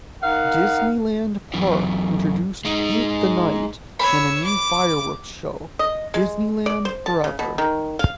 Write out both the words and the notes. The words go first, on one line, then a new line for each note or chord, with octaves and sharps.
Disneyland Park introduced Paint The Night and a new fireworks show, "Disneyland Forever".
D#4 A#4 F5 F#5
F#2 E3
G#3 D#4
C#5 B5 E6
D6
D#5
G#3
D5
C5
A5
C#3
B2
D#3
F5